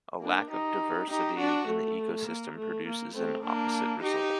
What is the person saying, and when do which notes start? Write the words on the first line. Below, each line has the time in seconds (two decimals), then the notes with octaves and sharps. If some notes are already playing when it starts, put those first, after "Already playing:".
A lack of diversity in the ecosystem produces an opposite result.
0.20 A#3 D4
0.49 D#4 G4
1.08 D#4 G4
1.37 D4 F#4
1.67 A3
2.26 A#3
2.55 A3
2.84 A#3
3.14 A3 C4
3.44 A#3 D4
4.02 D#4 G4